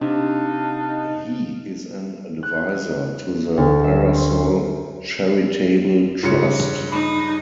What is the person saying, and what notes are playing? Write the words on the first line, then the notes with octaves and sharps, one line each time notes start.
He is an advisor to the Parasol Charitable Trust.
C3 D4 D#4 F5 F#5 A5
F#6
D2
E5
C5
G2 C#3 F4 C#7
D#4 B5